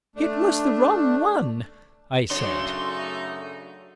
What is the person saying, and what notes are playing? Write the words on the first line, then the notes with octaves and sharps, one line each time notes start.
"It was the wrong one," I said....
A3 D4
F#2 C#3 A3 D4 D#4 F#4 C#5 C6